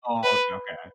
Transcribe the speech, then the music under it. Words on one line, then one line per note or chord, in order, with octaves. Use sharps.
Oh, okay, okay.
B4